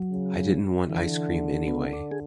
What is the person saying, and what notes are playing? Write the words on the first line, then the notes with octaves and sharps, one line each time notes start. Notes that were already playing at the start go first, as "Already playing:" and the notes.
I didn't want ice cream anyway.
Already playing: F#3
C#3
D3 E3
B3
D4
G#4